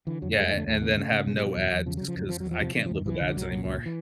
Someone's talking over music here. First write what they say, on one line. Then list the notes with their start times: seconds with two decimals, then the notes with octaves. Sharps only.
Yeah, an and then have no ads 'cause I can't live with ads anymore,
0.07 D3 E3
0.22 F2 F#3
0.32 A3
0.37 F2 G#3
0.47 G#3
0.52 D3 A3
0.67 D#2 A3
0.82 C#3 A#3
0.96 C#3 A3
1.11 C#3
1.26 B2 G#3
1.36 G3
1.42 B2 F#3
1.56 E2
1.71 E2
1.86 C#3 F3
1.97 C#3 F#3
2.08 F3
2.16 F2 F#3
2.29 F2 F3
2.40 F#3
2.46 E2
2.51 F3
2.61 C3
2.76 C3 E3
2.86 F3
2.90 E2 D#3
3.06 C2 E3
3.20 C2 D3
3.28 F3
3.36 C2 F#3
3.51 A#2
3.65 C#2 F#3
3.86 E3